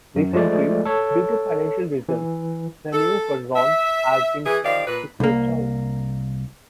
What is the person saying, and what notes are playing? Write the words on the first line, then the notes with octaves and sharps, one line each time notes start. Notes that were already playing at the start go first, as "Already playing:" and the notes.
Recently, due to financial reasons, the New Curzon has been forced to close down.
F#2
F3 G#3 A3 D5
A4 C#5
E3
A4
E5
E3 G#4
D#3 F3 G4 D5 F5
A#2 B4
C2 A#3